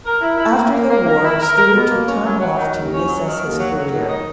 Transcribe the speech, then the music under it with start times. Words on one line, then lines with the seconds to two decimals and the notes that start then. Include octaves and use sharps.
After the war, Stewart took time off to reassess his career.
0.04 A#4
0.21 E4
0.37 E4
0.54 A#3
0.71 A#3
0.88 A#3
1.05 A#4
1.22 E4
1.39 A#4
1.56 A#4
1.73 B2
1.90 A#3
2.06 C#4
2.23 F#3
2.39 F#3
2.57 D#3
2.74 D#2
2.89 C#4
3.07 F#3
3.24 D#3
3.41 D#2
3.57 F#3
3.74 F#3
3.92 D#3
4.08 D#4